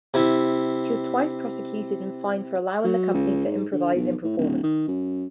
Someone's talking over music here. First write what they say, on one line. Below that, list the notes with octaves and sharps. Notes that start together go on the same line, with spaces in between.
She was twice prosecuted and fined for allowing the company to improvise in performance.
C3 E4
F#3
C#2
G#2
D3
B1
A2
D1
D#3
F#2